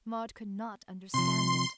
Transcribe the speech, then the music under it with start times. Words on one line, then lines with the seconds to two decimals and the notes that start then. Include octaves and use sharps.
Maud could not understand it.
1.14 C3 F3 C6